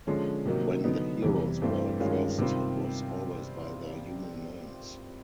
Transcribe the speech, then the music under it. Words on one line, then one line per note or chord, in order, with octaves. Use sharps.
When the heroes were addressed it was always by their human names.
D3 F3 G#3 C#4
C3 D#3 F#3 A#3 D#4
D3 F#3 B3 D#4
E2 C3 E3 G3
G2 E3 A3 C4
G2 D#3 G#3 C#4 F4
C3 D#3 G3 C4 F4